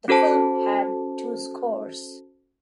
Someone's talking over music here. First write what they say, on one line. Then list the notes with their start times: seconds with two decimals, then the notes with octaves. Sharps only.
The film had two scores.
0.08 C#4 F#4 A4 C5 A5